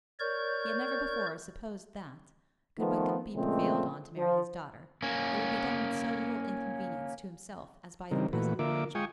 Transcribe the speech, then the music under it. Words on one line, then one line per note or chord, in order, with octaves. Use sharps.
He had never before supposed that, could Wickham be prevailed on to marry his daughter, it would be done with so little inconvenience to himself as by the present arrangement.
A#4 C#5 D5 C#6 G6
D#3 F3 A3 B3
A#2 C#3 F3 G#3 A3 C4
F3
A#3 C#4
C#3 E3 G3 C4 D#4 A#4
A#2 E3 A3 F#4 B4
D3 A#3 F4 A#4 E5 D6
G#3 F4 G5 G#5 C#6 D#6